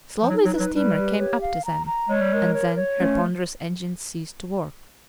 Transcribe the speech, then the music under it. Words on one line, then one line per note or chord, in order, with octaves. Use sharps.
Slowly the steamer came up to them, and then her ponderous engines ceased to work.
F3
F#3 D#4
F#3
B4
F#3
G3 B4
G4
C#5
F5
A#5
A#5
G#3 C#5
G3
G#3 A#4
C#5
C#5
A3 C#4